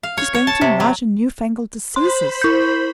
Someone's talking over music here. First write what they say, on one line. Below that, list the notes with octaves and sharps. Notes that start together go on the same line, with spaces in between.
She is going to enlarge on new-fangled diseases.
F5
C#5
C#5
A5
C3
F#3
C5 B5 C6
E4 G6